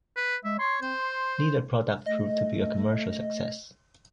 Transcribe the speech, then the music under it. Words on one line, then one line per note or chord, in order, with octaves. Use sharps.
Neither product proved to be a commercial success.
B4
G#3 E5
C#5 C6
C4 C5
C6
A3 D#5